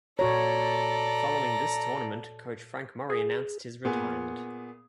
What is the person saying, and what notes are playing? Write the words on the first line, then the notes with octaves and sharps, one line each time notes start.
Following this tournament coach Frank Murray announced his retirement.
A#2 F#4 A4 C#5 D5 A#5
G#4
A#2 B3 G#4